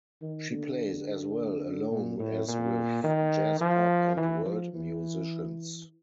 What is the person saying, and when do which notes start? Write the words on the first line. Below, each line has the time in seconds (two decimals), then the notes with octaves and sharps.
She plays as well alone as with jazz, pop, and world musicians.
0.22 D#3
0.51 D3
1.91 A#2
2.19 A2
2.48 A#2
3.04 D#3
3.61 F3
4.17 E3
4.46 F3
4.74 E3